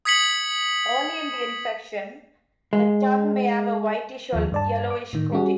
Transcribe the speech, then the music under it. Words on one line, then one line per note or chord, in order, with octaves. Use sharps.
Early in the infection, the tongue may have a whitish or yellowish coating.
D#6 G#6 B6 C#7 F#7
G#3
D#2 F3
G2 D5 A5
D6
A2 D#3
G3 C#4 F#4 G#4